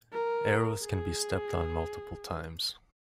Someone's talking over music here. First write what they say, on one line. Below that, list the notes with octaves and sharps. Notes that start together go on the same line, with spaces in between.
Arrows can be stepped on multiple times.
A#4
G#4